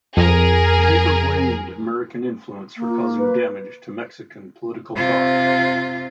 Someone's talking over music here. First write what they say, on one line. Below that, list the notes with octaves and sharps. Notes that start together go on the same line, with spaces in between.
The paper blamed American influence for causing damage to Mexican political thought.
F2 G#4 A#4
A#3
F4
B4
C3 F4